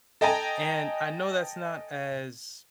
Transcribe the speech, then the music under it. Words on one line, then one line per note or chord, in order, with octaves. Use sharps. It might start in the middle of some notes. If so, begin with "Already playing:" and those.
And I know that's not as
A4 D#5 G5 G#5 A#5